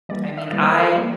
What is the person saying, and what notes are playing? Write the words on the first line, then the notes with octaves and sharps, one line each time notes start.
I mean, I
E3 G3 A#3 D5
D5
E5
E3 G3 A#3 D5
C5
A#4
A4
E3 G3 A#3